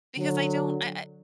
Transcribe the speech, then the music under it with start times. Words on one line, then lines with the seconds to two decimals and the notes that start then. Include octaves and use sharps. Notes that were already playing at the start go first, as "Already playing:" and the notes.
because I don't I
0.16 D3 F#3